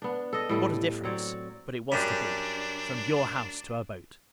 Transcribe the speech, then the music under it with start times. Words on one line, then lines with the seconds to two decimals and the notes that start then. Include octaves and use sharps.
What a difference--but it was to be--from your house to a boat!
0.02 B3 D4
0.33 A4 D#5
0.49 A2 G3 A4 D#5
1.04 F#3 C4 C#5 D5
1.92 F#2 G3 D4